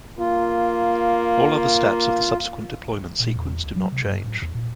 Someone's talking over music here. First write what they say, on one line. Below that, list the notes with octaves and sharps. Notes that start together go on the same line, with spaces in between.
All other steps of the subsequent deployment sequence do not change.
A#3 F4
A#2
E2
C#2
F#3
C3
G2
A2
E2
A#2